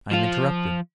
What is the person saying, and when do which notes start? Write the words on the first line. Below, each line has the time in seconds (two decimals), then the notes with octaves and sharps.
I am interrupted.
0.12 F3 F4